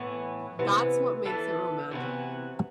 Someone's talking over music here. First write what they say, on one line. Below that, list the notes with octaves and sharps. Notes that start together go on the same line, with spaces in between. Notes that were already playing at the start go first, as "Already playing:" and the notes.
That's what makes it romantic.
Already playing: A2 E3 B3
C3 E3 B3
E3 B3 E4 A4
C3 E3 B3 F#4